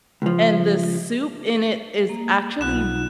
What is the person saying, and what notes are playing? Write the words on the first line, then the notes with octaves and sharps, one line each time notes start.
and the soup in it is actually
C#2 F3
A#3
B1 F#3 D#4 F4 F#6 E7